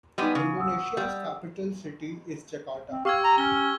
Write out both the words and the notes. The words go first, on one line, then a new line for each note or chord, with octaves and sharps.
Indonesia's capital city is Jakarta.
G3 G#3 B3 D#4 D6 D#7
C#3
F#5 D#6 E6
G3
C4
G4 F5 C#6 E6 G#6
A#5
C#4 F6 G7